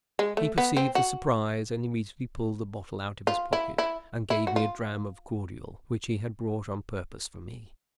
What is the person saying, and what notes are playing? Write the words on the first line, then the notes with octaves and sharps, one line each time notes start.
He perceived the surprise, and immediately pulled a bottle out of his pocket and gave me a dram of cordial, which he had brought on purpose for me.
G#3
A3
B3
C4
F#4
F4
E4
E4
E4
F#4
F4